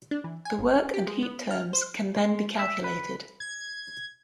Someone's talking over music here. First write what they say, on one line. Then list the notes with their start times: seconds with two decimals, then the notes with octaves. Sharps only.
The work and heat terms can then be calculated.
0.11 D4
0.24 E3
0.45 G#5
0.59 G1
0.76 C#4
0.94 G4
1.07 G#3
1.23 B3
1.51 F6
1.73 C5
2.16 G#3
2.59 E5
2.84 B4
3.40 G#6